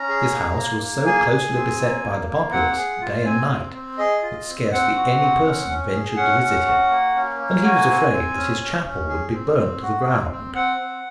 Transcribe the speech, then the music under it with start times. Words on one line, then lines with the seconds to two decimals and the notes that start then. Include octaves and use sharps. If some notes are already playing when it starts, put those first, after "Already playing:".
His house was so closely beset by the populace, day and night, that scarcely any person ventured to visit him; and he was afraid that his chapel would be burned to the ground.
Already playing: C#4 A#5
0.09 G#4
0.33 A#3
0.58 A#3
0.82 A#3
1.06 G#4 G#5
1.31 G#4
1.55 C4
1.80 A#3
2.03 A#3
2.28 A#3
2.52 C4 F#5
2.77 G#4
3.01 F4
3.25 C4 G#5
3.50 C4
3.74 C4
3.98 G#4 D#5
4.22 F4
4.47 C4
4.72 C4 F#5
4.96 F#4
5.20 C4
5.44 C#4
5.68 C#4
5.93 G#4
6.17 C#4 F#5
6.41 C#4
6.66 F#4
6.90 A#3
7.15 C#4
7.39 A#3
7.63 F#4 G#5
7.88 C4
8.12 C4
8.36 C#4
8.60 C#4
8.85 C#4
9.09 G#4
9.33 C4
9.58 C4
9.82 F#4
10.06 C4
10.31 C4
10.55 C4 F#5
10.80 C4